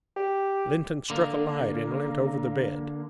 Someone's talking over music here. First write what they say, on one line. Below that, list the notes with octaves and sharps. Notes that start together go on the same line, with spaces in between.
Lynton struck a light and leant over the bed.
G4
D3 A#3